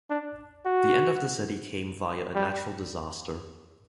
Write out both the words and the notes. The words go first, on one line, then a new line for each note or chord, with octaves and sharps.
The end of the city came via a natural disaster.
D4
F#4
G3